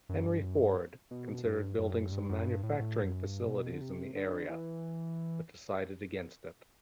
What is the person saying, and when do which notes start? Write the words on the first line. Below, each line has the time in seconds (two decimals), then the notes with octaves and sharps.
Henry Ford considered building some manufacturing facilities in the area but decided against it.
0.09 F#2
0.26 G2
0.43 F#2
0.60 G2
1.11 B2
1.44 G2
1.79 F#2
2.12 G2
2.29 F#2
2.46 G2
2.63 A2
2.80 A2
3.03 F#2
3.25 G2
3.48 B2
3.73 D3
3.81 C3
4.15 D3
4.49 E3